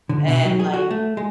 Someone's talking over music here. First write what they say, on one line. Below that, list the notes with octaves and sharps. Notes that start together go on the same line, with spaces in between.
and, like
D3
B2
F#3
G#4
F#4
A3
G#3